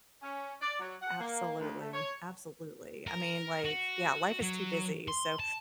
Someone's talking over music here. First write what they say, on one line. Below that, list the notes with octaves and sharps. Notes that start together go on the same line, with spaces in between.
Absolutely, absolutely, I mean, like, yeah, life is too busy, so
C#4
D5
F#3
F#5
A#3
D2
A3
C#5
A#4
F#4
F#3
C6
A5